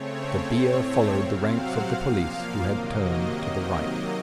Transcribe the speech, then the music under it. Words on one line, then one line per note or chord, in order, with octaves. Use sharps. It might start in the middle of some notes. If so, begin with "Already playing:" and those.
The bier followed the ranks of the police, who had turned to the right.
Already playing: C#3 A3 C4 C#5
A2 A3 C4
C3 F#3 C4 F5
F#5
A#2 F3 A#3 F5
F5
C3 D#3 F#3 A#3 D#5